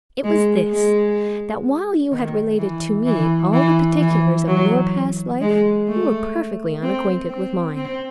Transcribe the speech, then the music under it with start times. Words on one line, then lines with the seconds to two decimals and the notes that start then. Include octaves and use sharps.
"It was this,--that while you had related to me all the particulars of your past life, you were perfectly unacquainted with mine."
0.24 G#3
0.71 G#3
2.12 D#3
2.58 E3
3.06 E3
3.53 E3
4.00 E3
4.47 F#3
5.41 G#3
5.88 A3
6.83 C4
7.29 C4
7.76 C4